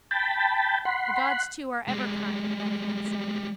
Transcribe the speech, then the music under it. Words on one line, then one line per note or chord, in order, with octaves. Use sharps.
The gods too are ever kind, Lenehan said.
G5 A5 B5
F#5 B5 C6
G3 G#3